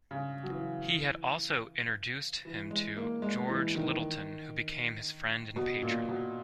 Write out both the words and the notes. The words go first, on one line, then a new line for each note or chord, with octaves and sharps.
He had also introduced him to George Lyttelton, who became his friend and patron.
C#3
F#3
E3
E3
G#3
A#3
G#3
E3
D#3
B2
A#2
B2